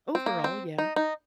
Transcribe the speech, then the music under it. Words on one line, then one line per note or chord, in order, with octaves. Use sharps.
overall, yeah,
C4
A#3
C4
D#4
D#4